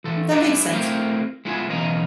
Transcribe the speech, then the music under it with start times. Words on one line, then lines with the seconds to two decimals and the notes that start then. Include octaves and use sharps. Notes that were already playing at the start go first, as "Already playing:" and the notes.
that makes sense.
0.04 E3 A4
0.32 D4 E4 G4 B4 D5
0.72 A3 C4 E4 G4 A#4 F5
1.45 G#3 B3 E4 F4 G4 G#4
1.69 B1 C#3 E3 D#5 F5 A#5